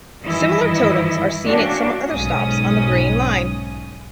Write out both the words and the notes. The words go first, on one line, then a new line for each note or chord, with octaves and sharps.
Similar totems are seen at some other stops on the Green Line.
G2 D#3 E3 E4 D#5
A3 A#3 C#4 D4 F#4 G4
B1 G#2 C#4 D#6